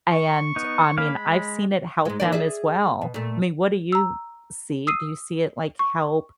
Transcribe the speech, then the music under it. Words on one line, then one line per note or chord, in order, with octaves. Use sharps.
and, I mean, I've seen it help them as well. I mean, what do you see? Do you see it, like, help,
C#6
B3 D#4
A#3 C#4 F5 B5
G#3
G#2 G#3
D#3 A#3 D5
G#4 D5 E5
B2
A#2 A3
A#5 E6
D#6 E6 C7 D#7
C#6